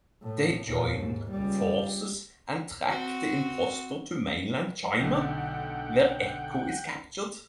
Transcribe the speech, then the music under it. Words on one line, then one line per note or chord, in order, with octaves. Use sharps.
They join forces and track the impostor to mainland China, where Echo is captured.
A2
D#2 A#2
G#2
C#2 G3
C4 F#4
B1 D3 F#5 G5